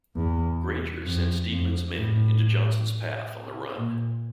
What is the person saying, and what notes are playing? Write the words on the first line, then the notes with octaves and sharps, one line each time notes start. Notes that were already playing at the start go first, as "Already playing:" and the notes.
Granger sent Steedman's men into Johnson's path on the run.
E2
F2
F2
A2
A#2